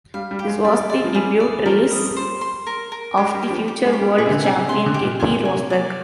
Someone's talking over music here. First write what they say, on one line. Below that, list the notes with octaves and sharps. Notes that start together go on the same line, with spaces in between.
This was the debut race of the future world champion Keke Rosberg.
G3 F5
G3
G4
G#3
G3 D5
D5
F3
G3 G#4
D5
F3 A#4
G3 D#6
C5
C6
A#4
A#4
G#3 G4
G3
G4
F3
G4
G#3
G4
G3
A#2 G#4
C3
D3
C3 G#4
C3
C3 C6
D3
G4
A#2
A#2 G#5
C3 G#5
D5